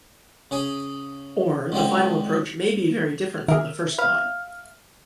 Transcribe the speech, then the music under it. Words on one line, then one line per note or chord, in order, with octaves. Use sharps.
Or, the final approach may be very different from the first model.
C#3 G#4
C#2 D3 C4
D#3 G#4 A#4 E5
B4 F5